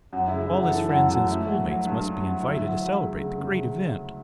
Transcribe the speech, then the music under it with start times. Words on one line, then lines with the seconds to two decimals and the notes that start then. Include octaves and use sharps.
All his friends and schoolmates must be invited to celebrate the great event!
0.13 F#2 F#4
0.27 E4
0.32 C#3
0.42 E4
0.51 F#2
0.57 F#4
0.70 E3 A4
0.89 F#2 F#4
1.09 F#2 F#4
1.27 A3 E4
1.47 F#3
1.65 F#3
1.85 G2
2.04 G2
2.23 F#3
2.42 D2 E4
2.62 F#3
2.81 F#3
3.00 C#3
3.20 C#3
3.38 C#3